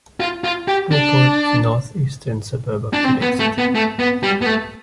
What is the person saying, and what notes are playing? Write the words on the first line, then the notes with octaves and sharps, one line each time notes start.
Beauport is a northeastern suburb of Quebec City.
F4
F4
G4
D4
D4
C4
B3
A3
B3
A3
B3
G3
B3
A3